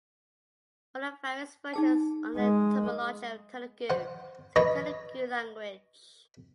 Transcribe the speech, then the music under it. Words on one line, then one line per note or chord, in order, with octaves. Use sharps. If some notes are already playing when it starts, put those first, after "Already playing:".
For the various versions on the etymology of Telugu, see Telugu language.
D#4 G#4 A5
G#3
C5 F#5
B4 C#5 D#5 A#5